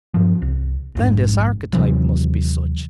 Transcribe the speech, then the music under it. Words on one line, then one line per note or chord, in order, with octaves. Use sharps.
'Then this archetype must be such.'
G2 F3
C2
A#1 F2 G#2
D#2 C3 E3 F#3